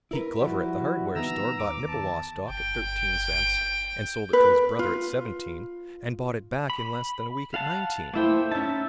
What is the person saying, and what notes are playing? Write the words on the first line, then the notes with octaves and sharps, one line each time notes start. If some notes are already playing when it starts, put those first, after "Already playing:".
Pete Glover at the hardware store bought Nippewa stock at thirteen cents and sold it to his brother at seventeen and bought it back in less than a week at nineteen.
E4 A#4 B4
F3 G3 E4 F#4 G4
D#3 B3 A#5 E6
D#2 D6
A5
G1 G5
B4
F4
B5
F5 F#5 A5
A3 A#3 E4 C5 E5 G5
C#4 D#4 E5 A5